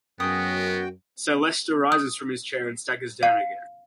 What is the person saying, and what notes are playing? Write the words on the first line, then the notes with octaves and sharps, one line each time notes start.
Sir Leicester rises from his chair and staggers down again.
F#2 B3 F#4 G#4 G5 D#6
D#6
F5